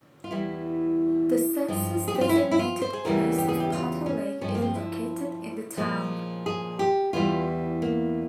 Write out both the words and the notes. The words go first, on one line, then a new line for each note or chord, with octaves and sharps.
The census-designated place of Potter Lake is located in the town.
F4
E2 E3 G3 E4
G2 F3 G#3
G#4
G4
F4
E4
C#4
E4
F4
C5
G#4
E2 C#3 E3 G3 A#4
G4
G#4
G4
F4
C#4
G2 F3 G#3 C#4
C4
A#3
C4
E4
A#2 F3 G#3
G#4
G4
E2 E3 G3 F4
A#3